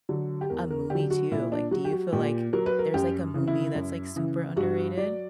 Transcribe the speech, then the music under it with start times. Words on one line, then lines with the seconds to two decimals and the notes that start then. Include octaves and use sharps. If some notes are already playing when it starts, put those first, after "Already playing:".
a movie too. Like, do you feel, like, there's, like, a movie that's like super underrated?
0.09 D3 F#3
0.41 G4
0.50 E2 A#4
0.71 A#4
0.90 D3 F#3 G4
1.11 F#4
1.32 A#2 E4
1.52 D4
1.71 F#3 F#4
1.85 G4
1.92 F#4
2.12 A#2 G4
2.53 F#3 A#4
2.66 B4
2.79 A#4
2.94 F#2 G4
3.34 C#3 E3
3.48 E4
3.75 F#2
4.16 C#3 E3
4.57 G2 F#4
4.97 F#3 D5